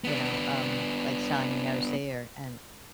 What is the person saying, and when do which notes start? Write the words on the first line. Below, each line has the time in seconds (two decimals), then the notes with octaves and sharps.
you know, um, like Selling the OC or and
0.04 B3 D4